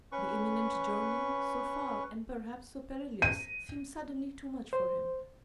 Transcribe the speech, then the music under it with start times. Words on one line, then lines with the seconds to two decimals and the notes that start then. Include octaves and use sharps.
The imminent journey, so far and perhaps so perilous, seemed suddenly too much for him.
0.12 C#4 B4 C#6
3.22 D#7
4.73 C5